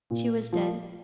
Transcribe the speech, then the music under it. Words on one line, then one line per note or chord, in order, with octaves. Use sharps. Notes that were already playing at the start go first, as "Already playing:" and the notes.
She was dead.
A#2
F3